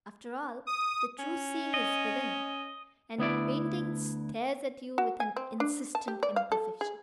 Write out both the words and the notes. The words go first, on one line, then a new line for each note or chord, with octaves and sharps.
After all, the true seeing is within; and painting stares at you with an insistent imperfection.
D#6
C#4
D#5
D2 B3 E4 D5
F#4
G#5
C4
D4
A5
G4
D5
F5
A4
G#4